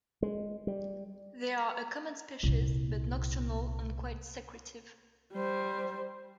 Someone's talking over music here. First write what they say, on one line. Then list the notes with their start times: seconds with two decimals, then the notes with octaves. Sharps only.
They are a common species, but nocturnal and quite secretive.
0.22 G#3
0.67 G3
2.43 C2 A#2
5.33 G3 C5